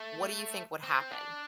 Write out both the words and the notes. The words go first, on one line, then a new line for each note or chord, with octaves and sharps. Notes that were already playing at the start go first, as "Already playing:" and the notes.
What do you think would happen?
Already playing: A3
C4
D4